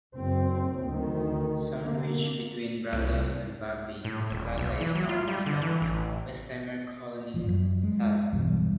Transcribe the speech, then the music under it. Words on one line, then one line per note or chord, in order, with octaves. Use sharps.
Sandwiched between Brazos and Bagby, the plaza is known as the Westheimer Colony Plaza.
F#1 C4
D2 D#3
D3 A#3
C2
A2
D#1
B1
E3
F#3
F4
G3
D3
E3
A1
A1 F3
F#2
G#3
B1 E2 G2 G3